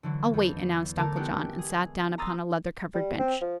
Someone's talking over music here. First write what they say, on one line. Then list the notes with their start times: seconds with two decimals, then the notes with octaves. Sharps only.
"I'll wait," announced Uncle John, and sat down upon a leather-covered bench.
0.03 D3 E3 F#3
0.33 E2
0.97 D3 A3 A4 A#4 A5 D6
1.16 G#3 B3 D4 E4 F#4 G4
1.59 G#4
2.18 A#5 C6 D#6 E6 A6
2.95 G3
3.19 C4
3.41 F3